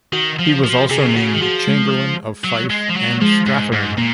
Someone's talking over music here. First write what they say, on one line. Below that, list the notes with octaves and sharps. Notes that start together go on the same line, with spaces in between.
He was also named chamberlain of Fife and Strathearn.
D#3 F#4
F3
F3
C3 G#4
C#3
C3
C#3 F#4
D#3
F3 F#4
G#3
F#3
G#3
F3
F#3
F3 G#3
G#2
G#2
A#2 A#3